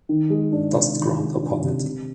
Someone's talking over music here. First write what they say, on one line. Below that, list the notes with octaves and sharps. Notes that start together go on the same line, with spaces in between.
Dust ground upon it.
D#3
G#3
D4
C3
D#3
G#3
D4
C3
C3